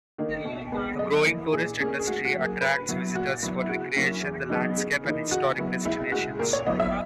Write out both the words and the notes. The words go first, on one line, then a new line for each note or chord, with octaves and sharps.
A growing tourist industry attracts visitors for recreation, the landscape and historic destinations.
D#3 A#3 D#4
B2
G#3 B3
F#2 D#5
E3 A#3 E4
A#2 G#4
A#3 C#4 G#4
G#4
G#2 F#4
F#4
F#3 A#3
G#4
C#3 B4
F#3 B3 E4
A#2 F#4
F#3 B3 E4
E4
C#3 F#4
F#3 A#3 C#4 E4
E2
C#3 F#3 B3 D#4
C#3
E3 A#3 D#4
C#3 F#4
F#3 B3 E4
C#2 E4
C#3 G#3 F#4
A#2 A#4
C#5
F#3 B3 E4 D#5
E5